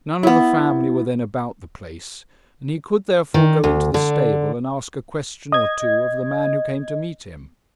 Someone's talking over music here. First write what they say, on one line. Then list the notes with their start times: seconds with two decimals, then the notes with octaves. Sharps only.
None of the family were then about the place, and he could, therefore, go into the stable and ask a question or two of the man who came to meet him.
0.23 B3 E4
3.34 D#3
3.64 D2
3.94 D3
5.52 D#5 G#6